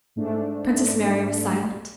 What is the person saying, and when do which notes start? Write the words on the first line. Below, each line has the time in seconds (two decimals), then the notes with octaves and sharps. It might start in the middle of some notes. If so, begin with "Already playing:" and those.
Princess Mary was silent.
0.16 G#2 A3 D4